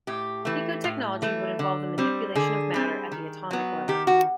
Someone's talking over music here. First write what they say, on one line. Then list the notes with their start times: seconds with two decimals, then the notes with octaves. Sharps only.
Picotechnology would involve the manipulation of matter at the atomic level.
0.07 A2 G4
0.45 E3 A3
0.84 A2
1.22 E3 A3
1.59 D3
1.98 G3 C4
2.35 D3 G#4
2.74 G3 C4
3.12 D#3
3.51 F#3 B3
3.88 D#3 G4
4.07 F#4